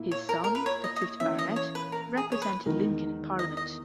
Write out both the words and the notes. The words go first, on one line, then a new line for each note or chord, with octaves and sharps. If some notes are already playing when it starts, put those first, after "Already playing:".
His son, the fifth Baronet, represented Lincoln in Parliament.
Already playing: A#2 A#3 E4
C#5
A#4
A#4
B4
C#5
D#5
D#5
C#5
E3 A#3 C#4 E4 E5
D#5
C#5
B4
A#4
G#4
C#5
B4
E2 D#3 G#3 D#4 A#4
D#5
D#5